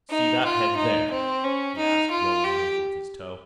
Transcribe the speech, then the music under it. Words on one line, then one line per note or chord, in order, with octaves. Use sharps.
"See that head, there?" he asked, rolling it over with his toe.
D#4
F4
D#4
C4
C#4
D#4
F4
G4